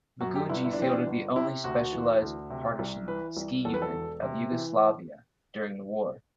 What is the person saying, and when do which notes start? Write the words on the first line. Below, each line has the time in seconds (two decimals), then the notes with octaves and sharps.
Begunje fielded the only specialized Partisan ski-unit of Yugoslavia during the war.
0.21 F#2 F#4
0.35 G4
0.49 G1 E4
0.64 E4
0.73 D4
0.78 E3 C4
0.91 D4
1.07 G1
1.36 C3 E4
1.64 D2 F#4
1.93 E3
2.22 D2
2.50 C3
2.79 C2
3.08 E3 B4
3.37 C2
3.65 E2 A4
3.74 B4
3.82 A4
3.94 E1
4.23 C3
4.51 E3